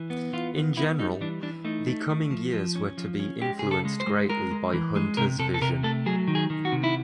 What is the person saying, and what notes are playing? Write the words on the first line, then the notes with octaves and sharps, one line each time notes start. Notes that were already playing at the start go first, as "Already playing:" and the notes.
In general, the coming years were to be influenced greatly by Hunter's vision.
Already playing: E3
B3
E3 F4
B3
B3 E4
G3 D#4
E3 D4
E3 D4
A3 D#4
A3
A3
F3
F3
C#4
F3
C#4
G#3 G4
C#3 G#4
A4
G#3
C5
G#3
G#3 A#4
G#3
E3
G#3
C3 A#4
C3 A4
A4
C3 A#4
A3 A4
F#3 G#4
D#3
G#4
D#3
F#4
C3
E4